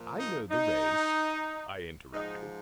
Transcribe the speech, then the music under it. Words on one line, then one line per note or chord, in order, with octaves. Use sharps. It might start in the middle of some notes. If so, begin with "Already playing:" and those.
"I know the rest," I interrupted.
Already playing: A#2 F3
D#4
D#4
G#2 F3 D#4